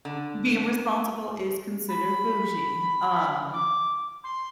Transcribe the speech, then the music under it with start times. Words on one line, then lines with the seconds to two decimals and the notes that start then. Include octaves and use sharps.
Being responsible is considered "bougie." Um,
0.05 D3
1.88 B5
3.53 D6
4.23 C6